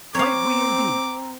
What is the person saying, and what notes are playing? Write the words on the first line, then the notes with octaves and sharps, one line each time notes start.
Might we indeed!
C4 C#5 F5 A#5 D6